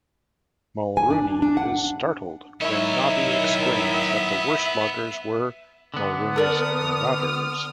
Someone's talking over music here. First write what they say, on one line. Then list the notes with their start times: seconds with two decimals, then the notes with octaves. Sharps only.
Mulrooney is startled when Knobby exclaims that the worst loggers were "Mulrooney's Marauders".
0.97 G#5
1.10 D4
1.42 D4
1.57 F#5
2.61 D#3 F#3 B3 E4 C#5 E5
5.94 D3 B3
6.36 A4 A#4 D5 D#6 F6